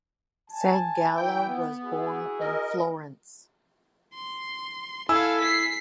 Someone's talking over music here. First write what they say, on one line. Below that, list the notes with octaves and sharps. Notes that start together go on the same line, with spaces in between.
Sangallo was born in Florence.
G#5 A5
E3 E4 B4 G5 G6
B3
E4 F#4 G#4
A#4 D#5
C6
E4 A4 F5 G#5 E6
B6 C7